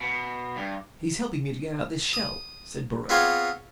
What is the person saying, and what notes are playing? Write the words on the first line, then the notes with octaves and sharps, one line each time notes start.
"He's helping me to get out this shell," said Borrowe.
B2
G2
D#6
B3 C4 F4 G#4 C#5 F5